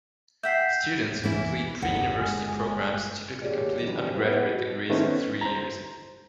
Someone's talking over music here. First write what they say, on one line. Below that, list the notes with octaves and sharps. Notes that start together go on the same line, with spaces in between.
Students who complete pre-university programs typically complete undergraduate degrees in three years.
E5 F#5 G5 G6 B6 C7
E3 A#3 E4
G1 D#2 F#5
G1 G#3
D#2 A#2 G4 G#4 C#5 D5
F#2 B2 D3 D#3 F3 G3
B3 E4 G4 B4
B2
D#3 A3 B3 C#4 E4 C5
C5 A#5